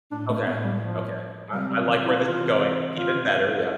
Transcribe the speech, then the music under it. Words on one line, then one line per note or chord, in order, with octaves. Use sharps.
Okay, okay. I I like where this is going. Even better. Yep.
A2 D4
A3
A2 B3
G3
F3
C3 G3
G3
D3 F3
E4
C3 E3 F4
D3 F3 F4